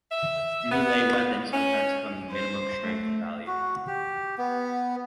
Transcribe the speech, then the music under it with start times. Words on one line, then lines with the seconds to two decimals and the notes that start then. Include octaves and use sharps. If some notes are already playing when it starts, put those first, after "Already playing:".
Melee weapon sometimes have a "Minimum Strength" value.
0.12 E5
0.72 B3
1.53 C#4
2.31 C5
2.82 A3
3.47 F#4
3.87 G4
4.38 B3